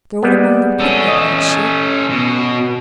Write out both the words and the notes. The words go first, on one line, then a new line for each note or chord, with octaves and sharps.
"Throw it among them quickly!" cried she.
G3 G#3 B3
C#4 A4
D#5
B2